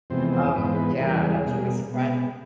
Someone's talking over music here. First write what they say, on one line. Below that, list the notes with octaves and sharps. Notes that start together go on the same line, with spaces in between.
um, yeah, that was really surprising.
F2 C3 E3 G#3 B3 C4 C5
C4 C5
G#2 E3 G#3 B3 B4
C5
B3 B4
E2 C#3 E3 G3 A#3 A#4
G#3 G#4
B2 G3 A#3
B2 G#3 B3